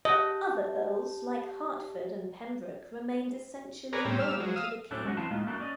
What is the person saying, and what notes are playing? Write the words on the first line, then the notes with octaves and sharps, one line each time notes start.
Other earls, like Hertford and Pembroke, remained essentially loyal to the king.
G4 D#5 F#5 A5
G#4 A#4 B4 C#5 D5 A#5
A2 G3 C4 C#4
G3 E6 F6
F#3 G#3
F5 D#6 E6
A2 F#3 A3 D4 A4
G#3 C#4 F#4 D#5 F#5
E3 C4 E4 F5 A5
A2 G#3 A#3 D#4 F4
F#3 A3 A#3 C#4 D4
C#4 D5 D#5